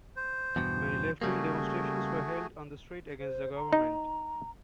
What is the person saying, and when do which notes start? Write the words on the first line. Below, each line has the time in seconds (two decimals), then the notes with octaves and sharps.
Many left-wing demonstrations were held on the street against the government.
0.16 C5
0.56 E2 G2 B2
1.22 C#3 G3 A3 A#3 F#4 G#4
3.20 C5
3.57 A#5
3.73 D#4